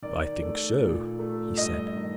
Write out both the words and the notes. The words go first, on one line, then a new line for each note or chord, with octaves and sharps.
"I think so," he said.
D#3 D5
A3
A#2
A3
G2 D#5
D#3